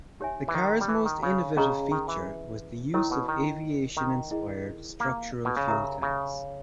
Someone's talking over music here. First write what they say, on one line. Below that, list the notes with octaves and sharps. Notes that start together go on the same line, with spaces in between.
The car's most innovative feature was the use of aviation-inspired structural fuel tanks.
D#4 G4 C#5 E5 G#5
E3
D#3
G3
E3
D#3
C#3
C#3 C#4 G#4 D#5 A#5
D#3
E3
D#3 E4 A#4 C#5 G5
B2
D#3
D#3
E4 G#4 D#5 G5
A#3
B2
C#3
G4 A#4 E5 A#5
C#3